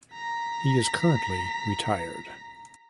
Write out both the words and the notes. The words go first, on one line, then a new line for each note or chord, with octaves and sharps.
He is currently retired.
A#5 B6